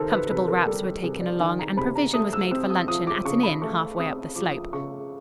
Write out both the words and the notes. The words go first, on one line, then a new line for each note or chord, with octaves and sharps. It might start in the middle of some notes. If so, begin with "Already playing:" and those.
Comfortable wraps were taken along, and provision was made for luncheon at an inn half way up the slope.
Already playing: C3 D#3 A4 A#4 C5
B4
C3 B4
A#4
G3 A4
C3 G#4
D5
D#3 G#5
A#5
C3 B5
A#5
A3 D#6
E6
C4 E6
D#6
F3 D#6
D6
C#3 C#6
B5
A3 C#6
C4 D#6
F3 D6
C#3 C#6